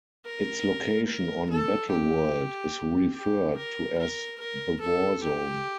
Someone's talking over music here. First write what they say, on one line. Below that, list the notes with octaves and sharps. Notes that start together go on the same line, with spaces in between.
Its location on Battleworld is referred to as the Warzone.
A#4
A#4
A4
G4
G4
A#4
A#4
A#4
A4
G4